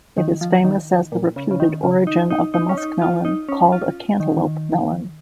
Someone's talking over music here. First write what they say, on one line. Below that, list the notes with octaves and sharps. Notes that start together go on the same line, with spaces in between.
It is famous as the reputed origin of the muskmelon called a cantaloupe melon.
D#3
F3
D#3
A#2
C#3
C#3
D#3
C#3
D#4
D#4
D#4
C#4
D#4
F4
D#4
C#4
F4
D#3